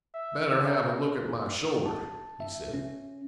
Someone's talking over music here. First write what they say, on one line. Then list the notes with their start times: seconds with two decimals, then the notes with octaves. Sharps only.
'Better have a look at my shoulder,' he said.
0.15 E5
0.67 A#4
1.86 A5
2.40 E5
2.74 C#4